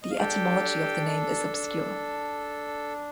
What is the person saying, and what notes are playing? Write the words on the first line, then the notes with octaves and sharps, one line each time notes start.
The etymology of the name is obscure.
D#5
F5
D4 G4 A4 G5